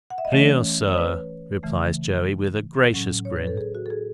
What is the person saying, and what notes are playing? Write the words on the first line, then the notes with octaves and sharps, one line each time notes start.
"Clear, sir," replies Joey, with a gracious grin.
F#5
E5
D#5
E3 A3 C#4 C#5
C#5
B4
C#3 E3 A3
A2 F#3 C#4
C#5
B4
A4
G#4
F#4
A4
G#4